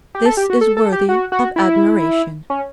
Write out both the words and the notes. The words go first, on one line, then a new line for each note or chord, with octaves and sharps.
This is worthy of admiration.
G4
A4
G4
F#4
A4
A4
G4
F#4
F#4
E4
C#4